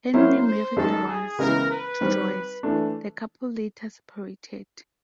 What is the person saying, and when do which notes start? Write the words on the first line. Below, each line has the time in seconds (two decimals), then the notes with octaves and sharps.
Henri married once, to Joyce; the couple later separated.
0.14 F#3 A#3 C#4 E4 C5
0.46 C5
0.76 F#2 D#3 G#3 A4
1.07 G#4
1.38 C#3 E3 G#3 B3 E4 A#4
1.70 B4
2.01 D#3 G3 C4
2.63 E3 A3 D4